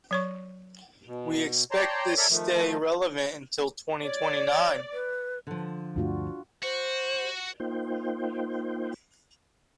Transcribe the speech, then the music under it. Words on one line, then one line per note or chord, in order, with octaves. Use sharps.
We expect this stay relevant until twenty-twenty-nine.
F#3 C#5 C#6
B2
C#5 D5 G5 A5 A#5 C6
A4 A#4 C#5 D5 E5
D#3 F3 A3
C#5 D5
B4
D3 F3
D2 G2 A3 D4 F4 F#4
F#4 C5
A#3 D#4 F4 C5 G5